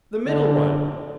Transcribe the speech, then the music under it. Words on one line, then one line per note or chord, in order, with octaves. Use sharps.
"The middle one."
D3